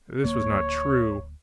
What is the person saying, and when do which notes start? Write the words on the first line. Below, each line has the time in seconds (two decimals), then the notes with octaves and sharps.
This was not true.
0.24 D1 A#3 C#5